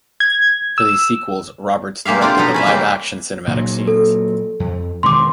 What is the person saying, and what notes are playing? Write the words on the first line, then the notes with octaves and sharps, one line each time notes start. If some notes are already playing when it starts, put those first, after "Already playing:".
For these sequels, Roberts directed the live-action cinematic scenes.
G#6
E6
G#3 A#3 G4 E5 F5
C4 D4 F4 G4 A4
B2 B3 D#4 A4 B4 A#5
C#4 B4 E5
C#3 G#3 A#3 G4 E5
A#2 F#3
A4
F2
E1 D#3 G#3 C6 D6